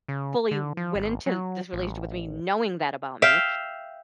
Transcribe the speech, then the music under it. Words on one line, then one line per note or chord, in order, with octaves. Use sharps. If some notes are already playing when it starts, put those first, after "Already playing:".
fully went into this relationship with me, knowing that about me.
C#3
D3
F3
G#1
F#3
A1
E5 F5 G5